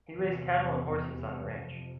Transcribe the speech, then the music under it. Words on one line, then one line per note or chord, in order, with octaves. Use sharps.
He raised cattle and horses on the ranch.
E2 C3 E3
E3
F2 C3 F3